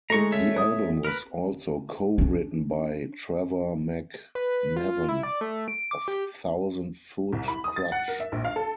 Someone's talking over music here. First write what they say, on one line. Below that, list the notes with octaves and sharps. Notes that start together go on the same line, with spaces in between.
The album was also co-written by Trevor McNevan of Thousand Foot Krutch.
G#3 A3 A#5 C#6
A4 C#5 E5
D#6
A#4 B4
C#4 D4
B4
F4
E4
D5
A3
D7
D6
G4
C2
B5
D#6
A6
F#5
A#4
E5
A#1
F5
A4